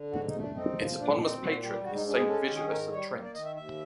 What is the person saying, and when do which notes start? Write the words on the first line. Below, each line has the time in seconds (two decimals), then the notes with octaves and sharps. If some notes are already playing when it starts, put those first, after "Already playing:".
Its eponymous patron is Saint Vigilius of Trent.
Already playing: D3
0.11 G#2 F#4
0.26 D#4
0.33 A3
0.41 D4
0.54 C4 D#4
0.76 F3
0.97 A#2 D4
1.19 C4 D#4
1.41 A#2 F#4
1.63 G3 G4
1.84 G#2 F#4
1.95 D#4
2.06 G#3 D4
2.16 G#4
2.27 C#4 A4
2.42 G4
2.49 D#3
2.56 G#4
2.70 G#2 A#4
2.91 G3 C#5
3.13 A#3
3.24 D5
3.35 D#3 D#5
3.45 E5
3.56 D#2 E5